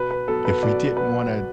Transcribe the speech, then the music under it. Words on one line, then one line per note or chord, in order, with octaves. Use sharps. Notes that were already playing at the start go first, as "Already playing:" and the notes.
if we didn't wanna
Already playing: B2 B4
B4
F#3 B3 A4
B4
B2 D5
F#3 B3 B4